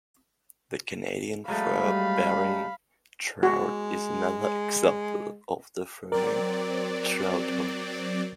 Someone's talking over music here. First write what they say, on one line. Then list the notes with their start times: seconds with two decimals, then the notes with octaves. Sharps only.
The Canadian fur-bearing trout is another example of the furry trout hoax.
1.48 F#3 G#3 A3 F5 B5
1.80 G3
3.43 G#3 F#4
6.12 F#3 C4 A#4 D5